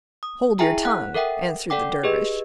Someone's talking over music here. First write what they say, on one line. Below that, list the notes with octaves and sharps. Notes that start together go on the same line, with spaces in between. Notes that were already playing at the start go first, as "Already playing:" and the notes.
"Hold your tongue," answered the Dervish.
D#6
E4 G#4 E5 G5 G#5 A#5
F#5 F#6
A4 A#4 E5 F#5 G5
A4 D5 F#5 G5 D6
G4 G#4 B4 D#5